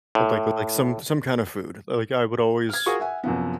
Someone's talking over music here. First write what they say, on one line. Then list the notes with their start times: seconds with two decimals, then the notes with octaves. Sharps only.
and, like like, some some kind of food. Like I would always
0.15 A2
2.69 F6 G#6
2.86 F4 F#4 G#4 A#4 C#6
3.00 E5 F#5 G#5
3.23 F#2 C3 F3 B3